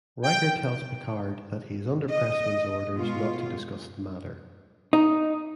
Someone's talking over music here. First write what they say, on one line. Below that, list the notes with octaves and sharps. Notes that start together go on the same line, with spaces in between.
Riker tells Picard that he is under Pressman's orders not to discuss the matter.
G5
D#5
B2 G#3 F4
D#4